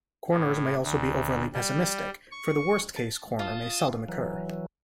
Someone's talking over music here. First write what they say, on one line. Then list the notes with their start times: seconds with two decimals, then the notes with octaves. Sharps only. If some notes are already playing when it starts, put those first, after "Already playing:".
Corners may also be overly pessimistic, for the worst case corner may seldom occur.
0.30 A2
0.83 D2
1.53 G3
2.31 C#6
2.96 A5
3.39 F4 A5 D#6
4.09 E3 F#3